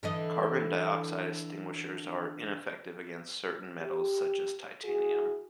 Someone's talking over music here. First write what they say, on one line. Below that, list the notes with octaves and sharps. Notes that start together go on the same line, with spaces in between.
Carbon dioxide extinguishers are ineffective against certain metals such as titanium.
D3 E3 D#5
G4
E4 F#4 G#4